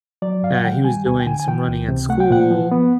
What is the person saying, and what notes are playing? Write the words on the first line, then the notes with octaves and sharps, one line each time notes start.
Uh, he was doing some running at school,
F#3 D5
G2 F5
F#5
D#3 G5
G3 G#5
D2 G#5
G5
D3 G#5
G#5
E3 G5
C#2
C3
A3 F#5
G5
A#2 F#5
F3
B3